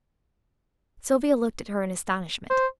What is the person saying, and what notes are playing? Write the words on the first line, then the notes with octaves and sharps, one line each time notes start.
Sylvia looked at her in astonishment.
C5